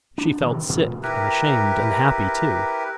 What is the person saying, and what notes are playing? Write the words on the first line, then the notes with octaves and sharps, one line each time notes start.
She felt sick and ashamed and happy, too....
D4
G2 B2 D#3 E3
A1 A#2
E4 G4 A#4 B4